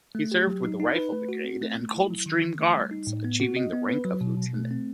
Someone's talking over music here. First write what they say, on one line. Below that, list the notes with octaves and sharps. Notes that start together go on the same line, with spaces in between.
He served with the Rifle Brigade and Coldstream Guards, achieving the rank of lieutenant.
A3
G4
F#3
D#4
D#4
B4
A3
F#4
C4
A3
A3
E4
F#3
D#3
D#3
A3
G3
D#4
A2
B3
F#4
D#5
B3
B4
F#3
B2
B2
A3
C4